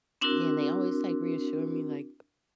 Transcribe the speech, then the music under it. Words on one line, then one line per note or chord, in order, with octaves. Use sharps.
and they always, like, reassure me, like,
C4 D4 E4 F#4 A#4